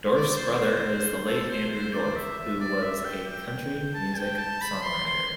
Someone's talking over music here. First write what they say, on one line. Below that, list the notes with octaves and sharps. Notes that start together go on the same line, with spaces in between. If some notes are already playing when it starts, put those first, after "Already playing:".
Dorff's brother is the late Andrew Dorff who was a country music songwriter.
D5
C5
D5
C5
A4
C5
C5
D5
E5
E5
D5
E5
G5
G5
A5
G5
A5
B5
C6
C6